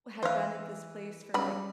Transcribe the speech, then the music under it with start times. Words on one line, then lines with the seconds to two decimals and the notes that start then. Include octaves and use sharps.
had been at this place for like
0.23 E3 C5 F5
1.34 C#3 G3 B3 B5